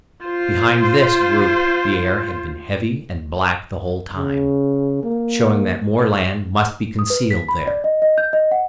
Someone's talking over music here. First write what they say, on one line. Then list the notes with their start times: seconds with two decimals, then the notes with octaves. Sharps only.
Behind this group the air had been heavy and black the whole time, showing that more land must be concealed there.
0.25 F4 C5
4.15 C#3
5.03 A#3
6.99 D#6
7.10 B4
7.31 B6
7.48 B5
7.67 D5
7.84 D#5
8.02 D#5
8.18 G6
8.33 D#5
8.51 F#5